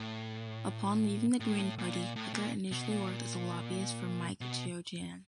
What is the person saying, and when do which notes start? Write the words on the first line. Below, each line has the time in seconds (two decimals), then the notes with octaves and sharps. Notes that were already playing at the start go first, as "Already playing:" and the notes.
Upon leaving the Green Party, Parker initially worked as a lobbyist for Mike Geoghegan.
Already playing: A2
1.40 A2
1.78 A#2
2.16 A2
2.34 A#2
2.71 B2
2.91 A#2
4.41 B2